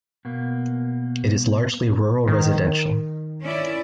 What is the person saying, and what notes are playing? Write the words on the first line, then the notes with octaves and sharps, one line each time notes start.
It is largely rural residential.
B2 A#3
D#3
C#4 E4 D5